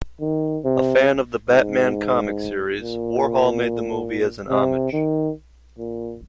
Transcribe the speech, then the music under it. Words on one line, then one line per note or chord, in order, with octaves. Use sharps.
A fan of the Batman comic series, Warhol made the movie as a homage.
D#3
C3
G#2
A#2
C3
D#3
A#2